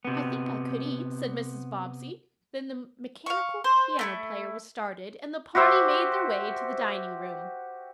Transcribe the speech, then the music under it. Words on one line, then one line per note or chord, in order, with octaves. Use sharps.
"I think I could eat," said Mrs. Bobbsey, then the mechanical piano player was started, and the party made their way to the dining room.
C3 B3
F5 C#6
C5
A3 D4 E4
F#4 G4 C5 E5